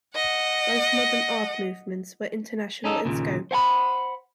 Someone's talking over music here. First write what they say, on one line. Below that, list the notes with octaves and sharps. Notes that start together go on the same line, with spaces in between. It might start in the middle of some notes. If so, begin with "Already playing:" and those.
Most modern art movements were international in scope.
D#5 F#5
C#4 D#4 A4
D#2 A#2 C#3
C5 F#5 G#5 B5